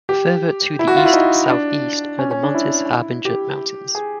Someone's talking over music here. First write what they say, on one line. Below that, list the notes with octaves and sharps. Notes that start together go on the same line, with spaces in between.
Further to the east-southeast are the Montes Harbinger mountains.
G4
E4
F#4
F4
E4
D#4
D4
C#4
C#4
D4
E4
G4
G#4